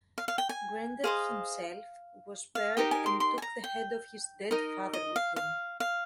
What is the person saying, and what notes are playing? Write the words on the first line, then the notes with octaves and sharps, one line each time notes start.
Grendel himself was spared and took the head of his dead father with him.
F5
F5
G5
G#5
G#4 C5 D#5 F5
F5
D#4 G4 A#4 D#5 G5
G#5
C6
C6
G#5
A#5
G5
D#4 A#4 D#5
D#5
F5
F5
F5